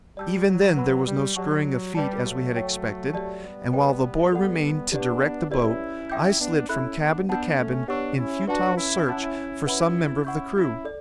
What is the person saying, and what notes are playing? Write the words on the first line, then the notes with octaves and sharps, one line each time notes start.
Even then there was no scurrying of feet as we had expected, and while the boy remained to direct the boat I slid from cabin to cabin in futile search for some member of the crew.
G3 D5 A5 E6 G6
F#3
B4 F#5 B5 E6
G3
F#3 G4 D5 F#5 A5 C#6
G3 B4 D5 A5
F#3 A3
A4 C#5 G5 C#6
G4 D5 A5
G3 B3
B4 D5 G5
G3 B3 A4 D5 F#5
B3 D4 G4 B4 D5
C#4 E4 G4 B4 D5
E5 G5 D6 G6
B3 D4
C#4 E4 A4 E5 B5 F#6
B3 D4
B3 D4 F#5 A5 E6 G6
A3 C#4
B3 D4 G4 C#5 F#5 C#6 E6
C#4 E4
D4 F#4 B4 F#5 A5
C#4 E4
C#4 E4 F#5 A5 D6 F#6
C#4 E4 B4 F#5 B5
C#4 E4 F#5 C#6 G6
C#4 E4
A4 D5